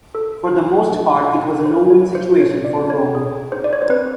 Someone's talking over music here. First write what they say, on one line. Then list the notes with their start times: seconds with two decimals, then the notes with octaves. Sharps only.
For the most part it was a no-win situation for Rome.
0.15 A4
0.53 F#4
0.90 D4
1.27 D4
1.65 A4 C5
1.90 C#5
2.03 F#4
2.15 C5
2.40 C4 C#5
2.65 D5
2.77 C4
2.90 C#5
3.15 G#4 C#5
3.52 D#4 C5
3.64 D5
3.73 C#5
3.82 C5
3.89 C4 B4